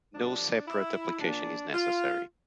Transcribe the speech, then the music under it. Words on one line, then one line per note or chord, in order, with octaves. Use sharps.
No separate application is necessary.
G2 D3 F3 D4
E4
A#2 F3 A#3 D4
F4